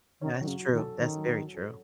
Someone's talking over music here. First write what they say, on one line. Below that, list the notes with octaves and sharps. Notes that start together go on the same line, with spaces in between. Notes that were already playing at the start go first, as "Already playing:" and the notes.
That's true, that's very true.
D#3 C#4
D#3 F#3
C#3
F#4
D#3
A4
D#3 C#4
F#3
F#4
A4